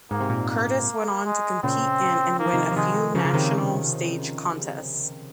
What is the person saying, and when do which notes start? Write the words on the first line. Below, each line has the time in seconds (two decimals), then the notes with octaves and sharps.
Curtis went on to compete in and win a few national stage contests.
0.11 G#2 A#3
0.20 C3
0.29 A#2
0.49 A#3
1.25 G#3
1.63 A#2 C#3 C4
2.39 D#3 A#3
2.46 F3
2.53 C3 D#3
2.71 F3
2.76 C3 D#3 G#3
3.14 C#3 F3 A#3
3.25 C#3
3.34 C3 D#3